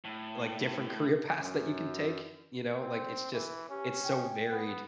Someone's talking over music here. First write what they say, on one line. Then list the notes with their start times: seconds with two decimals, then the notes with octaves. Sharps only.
like, different career paths that you can take, you know? Like, it's just it's so varied.
0.04 A2
1.38 F#2
2.80 C4
3.32 E3
3.70 C#4 G4
4.03 G5
4.51 B3